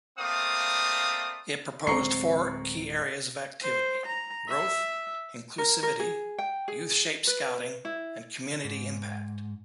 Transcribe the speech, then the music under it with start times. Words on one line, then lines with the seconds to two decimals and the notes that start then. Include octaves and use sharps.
It proposed four key areas of activity: Growth, Inclusivity, Youth-Shaped Scouting and Community Impact.
0.18 A3 A#3 C4 D5 F5 D#6
1.87 D1 G#3 C4 A#5 C#6 C7
3.62 C5
4.06 A#5
4.48 E5
5.58 A#4
5.83 A#4
6.00 G#4
6.38 G5
6.68 G#4
7.27 B4
7.85 E4
8.64 G#2